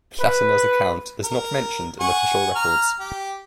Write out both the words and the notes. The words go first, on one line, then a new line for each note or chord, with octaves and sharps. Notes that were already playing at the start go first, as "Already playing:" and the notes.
Platina's account is not mentioned in official records.
B4
A#4
F#5 G#5 C#6
A#5 F6
G4